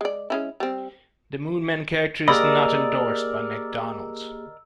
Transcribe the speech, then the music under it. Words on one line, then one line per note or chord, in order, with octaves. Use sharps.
The Moon Man character is not endorsed by McDonald's.
G#3 D5
G#3 C#4 E4
G3 C4
A#3 G4 G#4 A#4 D5 D#5 B5 E6